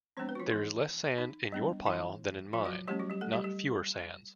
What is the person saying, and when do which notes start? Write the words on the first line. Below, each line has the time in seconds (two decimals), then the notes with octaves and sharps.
There is less sand in your pile than in mine, not fewer sands.
0.17 F3 G#3 B3 C4 D4 C5
0.29 B3 B4
0.35 F#4
0.40 F3 F4
0.51 E3 E4
1.18 D#4
1.52 G3 B3 D4
1.87 E3 E4
2.53 F3 F4
2.65 F#3 F#4
2.87 F3 G3 A3 C#4 G4
2.99 F#3 F#4
3.10 G3 G4
3.21 A3 A4
3.33 G3 G4
3.44 G3 G4